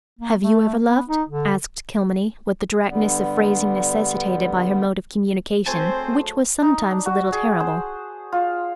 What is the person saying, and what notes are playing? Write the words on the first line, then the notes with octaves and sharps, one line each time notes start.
"Have you ever loved?" asked Kilmeny, with the directness of phrasing necessitated by her mode of communication which was sometimes a little terrible.
A#3
A3
B3
D#4
D3
G2 D3 G3 B3
F#3 A3 C4 G#4 C5 G#5 A5
D#4
D4
F#4
G#4
C5
F4